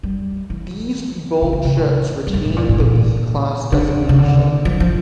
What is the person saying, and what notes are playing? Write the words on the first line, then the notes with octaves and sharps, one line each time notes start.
These rebuilt ships retained the V-class designation.
G3
E3
D3
D3
C#3
A2
G2
F2
A2
A#2
A2
A#2
D3
C#3
D3
F3
F3